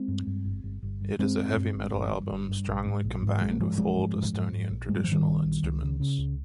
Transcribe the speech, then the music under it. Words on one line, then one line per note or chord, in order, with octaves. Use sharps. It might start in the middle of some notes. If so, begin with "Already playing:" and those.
It is a heavy metal album strongly combined with old Estonian traditional instruments.
Already playing: G#3 C4
G2
G2
G1
G1
G1
G2
G2 G#3 C4
G2
G2
G1
G1
G2
G1
G2
A#1
G#2
A#1
G#2
A#1 G#3
A#3
G#2 F3 G#3
A#1 F3 G#3
G#2
G#2
G#2
G#2
A#1
G#2 G#3
G3
F3
G#2 D#3 G3
A#1
A#1
C#2
C#3
C#3
C#2